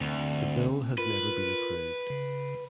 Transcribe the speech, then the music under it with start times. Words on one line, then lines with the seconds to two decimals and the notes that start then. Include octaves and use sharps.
The bill has never been approved.
0.01 D2 C4
0.98 F4 A#4 B4
2.10 C#3